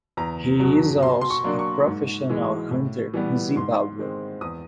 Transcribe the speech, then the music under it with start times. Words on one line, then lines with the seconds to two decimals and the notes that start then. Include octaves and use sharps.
He is also a professional hunter in Zimbabwe.
0.17 E2 A#5
0.60 B2 F#3
1.02 B2 C6
1.21 C6
1.30 C#6
1.44 F#3 A#3 D4
1.59 C#6
1.87 G#2
2.30 E3 G#3
2.71 A2
3.14 E3 G3 B3
3.56 G#2 C6
3.99 D#3 G#3 C4
4.41 E2 D#6